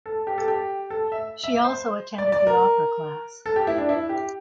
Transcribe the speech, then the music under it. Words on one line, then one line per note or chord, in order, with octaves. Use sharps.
She also attended the opera class.
A4
G4
A4
G4
A4
E5
E5
E5
C5
D5
D5
A#4
A4
G4
E4
D4
E4
G4